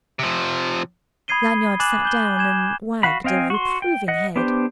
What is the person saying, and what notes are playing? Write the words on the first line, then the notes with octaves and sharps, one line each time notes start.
Lanyard sat down and wagged a reproving head.
C3 F3
B5 D#6 G#6 C7 D#7 G7
G#5 D6 F#6 A6 E7 F#7
G6 G7
G#5 D6 G#6 E7
F#4 F5 F#5 B5
C4 D#5 F5 G5 G#5
F#4 C6
G5
D#5 F#5
B3 D4 G4 C5